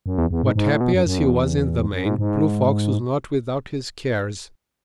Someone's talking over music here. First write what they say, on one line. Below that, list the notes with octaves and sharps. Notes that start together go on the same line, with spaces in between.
But happy as he was in the main, Blue Fox was not without his cares.
F#2
E2
E2
G#2
G#2
A2
B2
F#2
F#2
E2
F#2
G#2
G#2